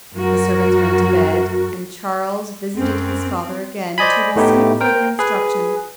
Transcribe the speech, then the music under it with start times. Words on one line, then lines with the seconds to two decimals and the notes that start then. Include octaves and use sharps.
The servants went to bed, and Charles visited his father again, to receive further instructions.
0.14 F#2 F#3 F#4 A#4
2.76 F#2 C4
3.98 C5 D5 D#5 G#5 B5
4.36 A2 A3 B3 D#4 E4 G4
4.81 A#4 C5 G5
5.19 G#4 B4